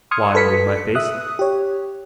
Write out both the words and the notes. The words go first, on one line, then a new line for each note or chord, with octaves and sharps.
Wine in my face.
C6 D#6 F6 G#6 C#7
A4 B4 B6 C#7
E5 D#6 F#6
G4 C#5